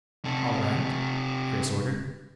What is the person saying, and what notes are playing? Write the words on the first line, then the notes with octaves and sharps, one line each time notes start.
"All right," Chris ordered.
C3 A4